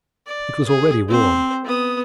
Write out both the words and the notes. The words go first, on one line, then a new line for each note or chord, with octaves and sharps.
It was already warm.
D5
G#4
C4 C5
B3 D#6